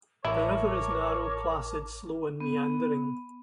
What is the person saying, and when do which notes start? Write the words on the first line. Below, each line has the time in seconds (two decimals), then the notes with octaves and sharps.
The river is narrow, placid, slow and meandering.
0.25 A1 E4 A#4 C#5 A5 D6
2.40 B3